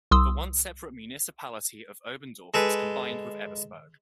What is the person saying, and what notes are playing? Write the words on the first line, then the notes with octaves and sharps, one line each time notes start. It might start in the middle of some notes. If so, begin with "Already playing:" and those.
The once separate municipality of Oberndorf was combined with Ebersberg.
C2 C6 D#6 E6
G#3 A4 B4